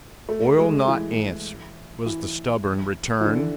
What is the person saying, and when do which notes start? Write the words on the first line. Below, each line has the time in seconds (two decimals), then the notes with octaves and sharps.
"Oi'll not answer," was the stubborn return.
0.29 A3
0.58 G#3
0.88 E3
2.06 E3
3.21 E3
3.25 D3